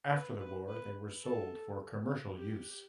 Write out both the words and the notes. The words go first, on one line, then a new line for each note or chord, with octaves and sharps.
After the war they were sold for commercial use.
B4
B4
B4
A4
G4